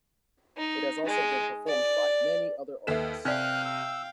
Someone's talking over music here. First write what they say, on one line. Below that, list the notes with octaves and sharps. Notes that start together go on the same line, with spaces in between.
It has also been performed by many other artists.
D#4
G#3
D5
D#2 A4 B4 E5 B6 E7
C3 C4 D5 F5 G5 F6 F#6
E6